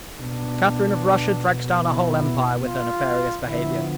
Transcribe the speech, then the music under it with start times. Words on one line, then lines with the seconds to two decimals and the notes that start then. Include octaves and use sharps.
Catharine of Russia drags down a whole empire with her nefarious behavior.
0.18 B2 B3 D4
1.83 E4
2.65 F4
3.46 D3 F3 B3 E4